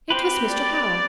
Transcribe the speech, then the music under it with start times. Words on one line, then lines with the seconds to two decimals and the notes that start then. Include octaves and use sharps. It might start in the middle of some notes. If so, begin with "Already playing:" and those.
It was Mr. Howell.
0.10 C4 G4 B4 C5
0.48 D5